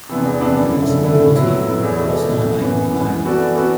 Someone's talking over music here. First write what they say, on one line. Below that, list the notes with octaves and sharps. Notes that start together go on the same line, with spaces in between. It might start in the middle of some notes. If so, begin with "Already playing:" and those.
A possible motive was not identified.
C3 E3 B3 D4
E2
C3 E3 B3 D4
F#2
D3 A3 E4
F#2
D3 A3 E4
A2
F#3 B3 E4
A2
F#3 B3 E4
E2
B2 A3 E4
E2
B2 A3 E4
F#2
E3 B3
F#2
E3 B3
E3
B3 F#4 A4 D5
E3
B3 F#4 A4 D5